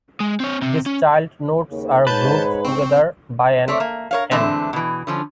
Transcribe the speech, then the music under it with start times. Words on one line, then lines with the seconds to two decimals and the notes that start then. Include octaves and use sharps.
These child nodes are grouped together by an "and".
0.20 G#3
0.40 C4 C#5
0.62 C3 C4
0.86 C#4
1.70 D#2 C#3
2.07 G#2 B4 C#5 A5 G6
2.65 C4 C#6
3.68 A3 C4 C#5 D5
3.80 A#3
4.11 A#4 C#5 F5
4.31 D3 E3 G#3 A3 C4 D4
4.73 B2 E3
5.07 D3 F3 C#4